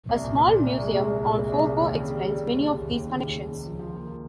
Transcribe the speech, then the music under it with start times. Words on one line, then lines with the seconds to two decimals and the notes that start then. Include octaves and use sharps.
A small museum on Fogo explains many of these connections.
0.09 C2
0.24 A#2
0.38 A#2
0.53 A#2
0.66 C2
0.81 G#3
0.95 C2
1.09 G#3
1.23 A#2
1.38 C2
1.52 C2
1.66 C2
1.80 D#2
1.94 C#3
2.09 G3
2.23 G3
2.37 G3
2.51 D#2
2.66 C#3
2.80 D#2
2.94 D#2
3.08 C#3
3.23 D#2
3.37 D#2
3.51 C#2
3.65 F3
3.79 F3
3.93 A#3